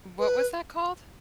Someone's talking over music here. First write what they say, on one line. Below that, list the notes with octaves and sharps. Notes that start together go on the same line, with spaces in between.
What was that called?
B4